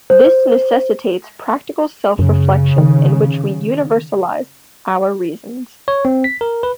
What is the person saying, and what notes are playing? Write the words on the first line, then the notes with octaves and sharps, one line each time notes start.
This necessitates practical self-reflection in which we universalize our reasons.
C5
F#2 C#3
D#3
C#5
C4
B6
A#4
B4